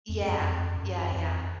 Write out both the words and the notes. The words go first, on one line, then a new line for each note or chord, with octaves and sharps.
Yeah. Yeah, yeah.
F2
F#2
F2
F#2
F2